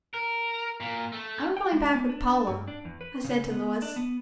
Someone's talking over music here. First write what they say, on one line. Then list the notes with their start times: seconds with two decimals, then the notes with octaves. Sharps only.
"I'm going back with Paula," I said to Louis.
0.14 A#4
0.80 A#2
1.12 A3
1.57 G5
1.72 G#3
1.94 B3
2.10 D4
2.47 G2
2.68 D4
2.85 E2
3.01 B4
3.24 C#3
3.52 B3
3.82 D4
3.96 B3